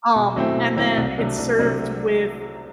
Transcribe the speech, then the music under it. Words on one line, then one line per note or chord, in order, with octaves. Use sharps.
Um, and then, it's served with
B2
F#3 A3 C4 E4
B2
F#3 A3 C4 E4
C2
C3 F#3 A3 D4
C2
C3 F#3 A3 D4